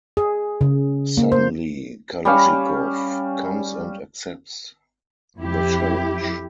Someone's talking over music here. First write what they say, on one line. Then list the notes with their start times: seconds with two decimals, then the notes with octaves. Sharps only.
Suddenly, Kalashikov comes and accepts the challenge.
0.17 G#4
0.61 C#3
1.17 A#3
1.32 C5
2.25 G3 C#4 F5
5.38 F2 E4 G4